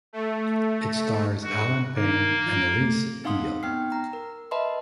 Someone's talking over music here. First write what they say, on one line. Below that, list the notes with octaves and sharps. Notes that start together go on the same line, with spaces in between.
It stars Allen Payne and Elise Neal.
A3
G2 F#4
D#3 A#3
F3
A3
C4 D#4 F5 F#5 C6 D#6
B3 D#4 G5 F6 C7
A#5
A#4
B4 D#5 E5 A5 B5 C6